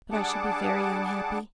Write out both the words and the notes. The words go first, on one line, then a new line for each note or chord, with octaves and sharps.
But I shall be very unhappy.
G3 D4 G#4 F#5 A5 D6